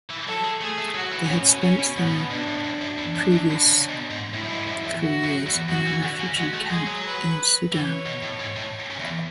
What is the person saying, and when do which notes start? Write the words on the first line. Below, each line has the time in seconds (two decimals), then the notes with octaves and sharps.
They had spent them previous three years in a refugee camp in Sudan.
0.11 E3
0.27 F#3 A4
0.44 G#3
0.61 A3 G#4
0.78 A3
0.94 F#3 F#4
1.12 E3
1.25 B2
1.29 A2 C#4
1.46 B2
1.62 C#3 C#4
1.80 B2
1.97 G#2 B3
2.06 B2
2.13 A2
2.30 B2 D4
2.48 A2
2.64 F#2
2.82 F#2
2.98 E2
3.15 F#2
3.32 F#2
3.66 C#3
3.89 B2
4.11 G#2
4.33 A2 E4
4.43 F#2
4.50 G#2
4.67 F#2
4.84 E2
5.01 F#4
5.24 F#2
5.47 E2
5.68 F#2 F#4
5.86 E3
6.03 D3
6.20 C#3
6.37 G#3 F#4
6.54 A3
6.70 G#3 G#4
6.87 F#3
7.05 B4
7.72 E3 C#5
8.06 B2
8.23 A2
8.40 G#2
8.56 A2
8.90 C#3
8.99 E2